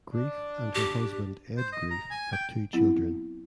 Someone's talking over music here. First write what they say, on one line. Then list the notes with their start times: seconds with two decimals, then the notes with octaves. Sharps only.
Greef and her husband Ed Greef have two children.
0.12 D4
0.75 G4
1.57 C5
1.72 D#5
1.91 A#5
2.10 G#5
2.32 G5
2.73 F#3 B3 C4 E4